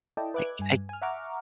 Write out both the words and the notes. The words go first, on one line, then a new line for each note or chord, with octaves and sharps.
I I
E4 A4 D5 D#5 G5 A5
B4 E5 D6 F#6 G#6
G2 G#5
G#5 F6
E5 F#5 A#5 C#6 D6 F6